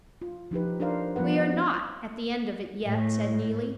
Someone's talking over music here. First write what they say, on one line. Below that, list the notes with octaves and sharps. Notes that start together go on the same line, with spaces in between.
"We are not at the end of it yet," said Neelie.
F4
F3 D#4 G4 B4
D4 D#4 A#4 C5 D5 F5
F3 G3 B3 B4 F#5
C4 F#4
A2